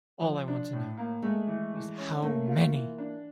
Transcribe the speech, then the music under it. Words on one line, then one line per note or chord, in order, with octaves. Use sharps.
All I want know is how many.
F3
D4
A2
A#3
G#3 A3
E3
E3
C#4
A3 A#3
F4
E3
D4